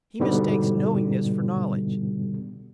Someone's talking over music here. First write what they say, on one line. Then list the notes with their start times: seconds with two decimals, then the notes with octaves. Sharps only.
He mistakes knowingness for knowledge.
0.20 G#2 B2 D3 G3 B3